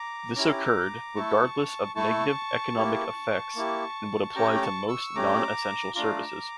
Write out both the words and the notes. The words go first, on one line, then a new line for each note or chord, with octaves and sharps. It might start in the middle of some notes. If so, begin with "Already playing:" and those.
This occurred regardless of negative economic effects and would apply to most non-essential services.
Already playing: A#5 D6
C#4 E4 G4 A#5 D6
A3 E4 A4 A5 C#6
A3 E4 A4 A5 C#6
A#3 E4 G4
A#3 E4 G4
A3 C#4 G4 G5 A#5
D6
A5 C#6
C#6 E6
A3 C#4 G4 A#5 D6
A3 D4 F4 A#5 D6